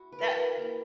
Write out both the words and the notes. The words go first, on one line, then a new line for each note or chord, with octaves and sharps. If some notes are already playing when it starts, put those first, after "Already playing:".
That, uh,
Already playing: E4 F#4
B4
E3 A#4
A#3 E4